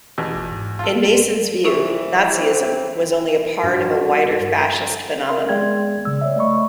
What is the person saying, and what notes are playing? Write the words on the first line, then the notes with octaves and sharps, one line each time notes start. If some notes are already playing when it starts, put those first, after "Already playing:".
In Mason's view, Nazism was only part of a wider fascist phenomenon.
E2 B2
G1
G#2
F4 A4
C2 E3 F4 G4 C#6
C4
G2 F#4
A#4 E5 F5 C6
G#3 B3 G#4 D5 G5 G#6
C#3 G3 E6
C#5 D5 E5
A3 D5 D#5 B5 C#6